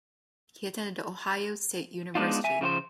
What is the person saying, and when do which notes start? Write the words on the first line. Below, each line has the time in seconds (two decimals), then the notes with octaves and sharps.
He attended Ohio State University.
2.15 G#3 B3 C4 D4 D#4 F4
2.44 E5 G#5
2.61 C#3 F3 F4 C5